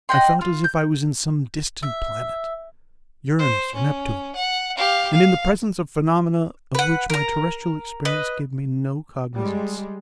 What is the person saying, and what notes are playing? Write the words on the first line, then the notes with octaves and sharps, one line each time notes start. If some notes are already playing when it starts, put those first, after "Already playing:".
I felt as if I was in some distant planet Uranus or Neptune--and in the presence of phenomena of which my terrestrial experience gave me no cognisance.
D#5 F#5 G5 C6
F4
G6
E5
C5
C#4
F#5
G4 F5
F5
B4 F#5
A#4 A#5
B4 D#5
G3 G#3